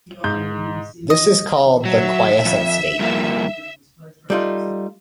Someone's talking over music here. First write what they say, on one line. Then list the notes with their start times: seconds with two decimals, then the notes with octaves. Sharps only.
This is called the "quiescent" state.
0.24 G#2 G6
1.10 D#5
1.85 F#3 E5
2.45 F2
2.99 G2 F3 A#3
4.30 G3 A3 D#4 F4